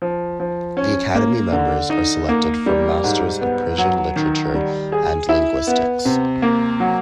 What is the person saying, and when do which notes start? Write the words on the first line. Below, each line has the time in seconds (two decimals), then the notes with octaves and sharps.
The academy members are selected from masters of Persian literature and linguistics.
0.02 F3
0.40 F3
0.77 C#4
1.15 A#3
1.52 D3
1.90 D#4
2.29 A#3
2.66 G3
3.04 G#2
3.41 B3
3.78 F#3
4.16 D#3
4.54 G3
4.92 G#4
5.29 E4
5.67 B3
6.05 C3
6.42 A#3
6.80 F#3